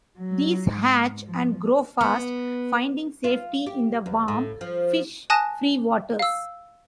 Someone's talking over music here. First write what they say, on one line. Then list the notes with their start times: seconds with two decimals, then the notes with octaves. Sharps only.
These hatch and grow fast, finding safety in the warm fish-free waters.
0.18 F#3
0.69 G#2
1.26 F3
2.01 B3
3.24 F4
3.66 G4
4.06 E2
4.28 A2
4.61 F3
5.30 G#5 A5 D#6 F#6 A#6 E7
6.19 F5 E6